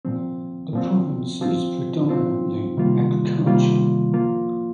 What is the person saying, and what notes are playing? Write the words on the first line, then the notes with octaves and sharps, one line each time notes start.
The province is predominantly agricultural.
A#2 F3 C4
A#2 F3 C4
F3 C4 F4
F3 C4 F4
C3 D#3 G3 A#3 F4
C3 D#3 G3 A#3 F4
F3 A#3 F4